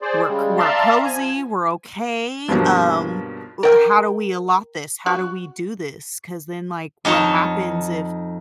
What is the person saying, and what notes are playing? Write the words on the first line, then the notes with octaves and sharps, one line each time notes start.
we're c we're cozy, we're okay, um, u how do we allot this? How do we do this? 'Cause then like, what happens if,
G#4 C5 D5
C#3 G3 G#3
D5 E5 F5 A5 A#5 C6
F3 G#5
B1 G2 F3 A#3
A#4 G5
F#4
F2 D#4 C#5 A5